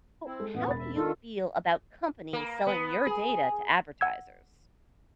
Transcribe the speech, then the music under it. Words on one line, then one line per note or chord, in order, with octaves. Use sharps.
So, how do you feel about companies selling your data to advertisers?
C4 E4
G#3 A4
A1 B3 B4
E1 B5 A6
E5
D#3 D4 F4 A4
A#3
B3
G#4
F#5 E6 G#6